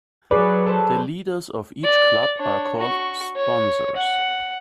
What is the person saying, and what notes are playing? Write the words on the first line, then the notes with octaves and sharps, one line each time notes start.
The leaders of each club are called "Sponsors".
F#3 G#4 B4 D5
A4 B4 C5
D5
D4 C#5
F#4 C#6
C#5
F#5